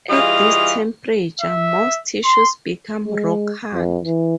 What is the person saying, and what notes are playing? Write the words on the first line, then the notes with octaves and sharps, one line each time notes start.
At this temperature, most tissues become rock-hard.
E3 G3 F4 G#4 D#5 F5
E5
C6
G#3
F2
E3